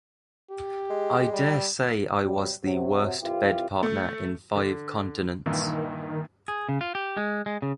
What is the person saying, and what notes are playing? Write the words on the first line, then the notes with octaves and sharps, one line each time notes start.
I daresay I was the worst bed partner in five continents.
G4
G#3
G3
C3 F#3 G3
C3 F#3
C2 C3 E3 F4 G4
A3
D3
G2 A#2 D#3 E3
G#4
C#3
F4
G4
G#3
G#3
C#3